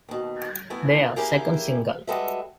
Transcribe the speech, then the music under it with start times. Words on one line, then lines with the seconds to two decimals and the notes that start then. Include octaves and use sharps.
Their second single.
0.09 D#2 B2
0.70 A3 B3 E4 G#5
1.16 A#3 C#4 E4 G4 G#4 A#4
2.07 G3 G#3 F#4 A4 B4 E5